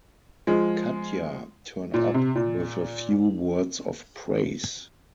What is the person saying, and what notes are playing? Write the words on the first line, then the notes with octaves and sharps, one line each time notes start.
Katja turned up with a few words of praise.
F3 G#3
A#2
C3
A#2